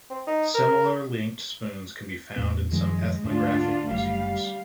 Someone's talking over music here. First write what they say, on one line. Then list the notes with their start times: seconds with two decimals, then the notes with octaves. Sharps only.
Similar linked spoons can be found in some ethnographic museums.
0.10 C4
0.27 D#4
0.54 A#4
2.36 E2 A2 B3
2.72 F#2 D#3 F3 G#3
3.25 D2 G#2 D4 F4
3.91 F#1 G3 F5